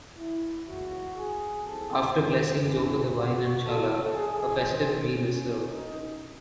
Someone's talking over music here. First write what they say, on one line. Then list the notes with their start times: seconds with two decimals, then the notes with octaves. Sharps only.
After blessings over the wine and challah, a festive meal is served.
0.16 E4
0.67 C#2 C#3 E3 F#4
1.17 G#4
1.66 C2 C3 D#3 A4
2.65 C2 C3 E3
3.15 F#4
3.64 C#2 C#3 E3 A4
4.14 G#4
4.63 F#2 D#3 C4
5.13 C#4
5.63 C2 C3 D#3 D#4